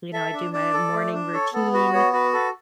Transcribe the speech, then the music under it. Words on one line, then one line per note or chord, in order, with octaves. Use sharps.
you know, I do my morning routine,
A4 E5
D4
D4 D5
A4
A3
D4
A4 C#5
B3 A4
F#4 B4
B3 C#5
F#4 B4
A4 B4